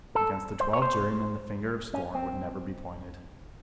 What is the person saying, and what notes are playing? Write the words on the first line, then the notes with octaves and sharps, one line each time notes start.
Against the twelve jurymen the finger of scorn would never be pointed.
A4
C5
C#5
C5
C#4
C4